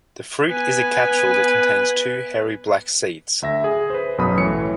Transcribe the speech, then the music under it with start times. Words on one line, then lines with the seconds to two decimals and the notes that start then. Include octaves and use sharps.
The fruit is a capsule that contains two hairy black seeds.
0.50 B3 B4 G#5
3.42 D2 E5 A#6
3.64 G#4
3.90 B4 C5
4.18 B1 F#2 B2 F#3 B5 D#6
4.38 A2 E3 C#5 C#7